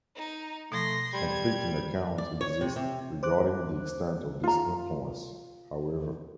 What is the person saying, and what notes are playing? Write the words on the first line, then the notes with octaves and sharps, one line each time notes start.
Conflicting accounts exist regarding the extent of this influence, however.
D#4
B2 F3 A3 C6 A#6
G3 G#6
D5
C#5
C3
C3
C5 D6 F#6
F4 A#5